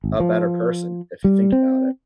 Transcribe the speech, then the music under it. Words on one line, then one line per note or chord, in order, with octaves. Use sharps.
a better person, if you think about it.
G#1
F3
G3
C4